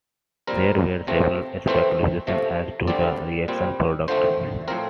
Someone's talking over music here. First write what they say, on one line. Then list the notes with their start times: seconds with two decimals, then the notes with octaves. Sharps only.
There were several speculations as to the reaction products.
0.47 A#2 G3 C4 A#4
1.07 C3 F3 A3 C4
1.68 E3 A3 C4 C5
2.27 C3 F3 A3
2.87 D3 G3 C4 D5
3.48 A#2 G3 C4
4.08 D3 F3 A3 C4 C5
4.68 A2 F3 C4 A#4